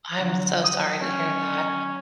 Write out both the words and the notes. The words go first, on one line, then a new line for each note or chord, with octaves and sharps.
I'm so sorry to hear that.
D3 F#3
D#6
C#4